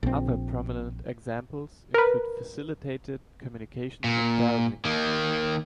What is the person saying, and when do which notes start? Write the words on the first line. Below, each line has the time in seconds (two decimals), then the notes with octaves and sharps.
Other prominent examples include facilitated communication and dowsing.
0.03 A#1 C4
1.94 A#4 B4
4.04 A#2
4.85 D#3 A#3